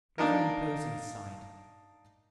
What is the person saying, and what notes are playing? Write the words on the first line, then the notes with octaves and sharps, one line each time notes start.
It was an imposing sight.
A#3 D4 D#4 A#4